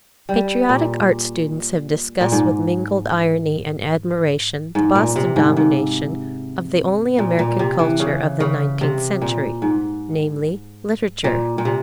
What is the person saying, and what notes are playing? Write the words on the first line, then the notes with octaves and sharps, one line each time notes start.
Patriotic art students have discussed with mingled irony and admiration the Boston domination of the only American culture of the nineteenth century, namely, literature.
G3
A#2
A#2
G#2
G#2
A#2
C3
G#2
G#2
A#2
A#2
C3
E3
C#3
C#3
C3
A#2
G#2
A#2
A#2
C3